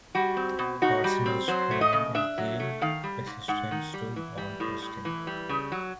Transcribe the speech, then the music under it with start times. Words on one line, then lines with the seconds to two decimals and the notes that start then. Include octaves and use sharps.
Torsional strain is the resistance to bond twisting.
0.15 G3 F#4
0.37 C4
0.59 B2
0.82 D#4 F#4
1.04 G3
1.26 C4
1.48 F#3 C5
1.71 A3
1.81 D#5
1.93 C#3
2.15 D4 E5
2.38 F#3
2.60 A3
2.81 D#3 F5
3.04 G3
3.27 G#2
3.48 G#2 F#5
3.71 D#3
3.94 G3
4.16 E3
4.38 G3
4.60 A2
4.82 A2
5.05 E3
5.27 G3
5.49 C#3
5.72 F#3